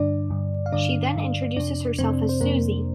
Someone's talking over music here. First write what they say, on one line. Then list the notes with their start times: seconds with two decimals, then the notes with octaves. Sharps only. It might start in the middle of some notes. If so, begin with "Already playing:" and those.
She then introduces herself as Suzee.
Already playing: G2 D3 D4 D5
0.30 G2 D3
0.66 F5
0.72 G2 D3 D4 D5
1.15 G2 D3
1.56 F2 C3 D4 D5
1.98 F2 C3 C4 C5
2.29 C5
2.41 F2 C3 A#3 A#4